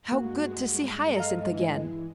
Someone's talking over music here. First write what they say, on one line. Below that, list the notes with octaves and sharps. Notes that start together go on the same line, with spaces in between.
How good to see Hyacinth again!
G2 G#3 A#3 F#4
A4 D#5 F5 A#5
E3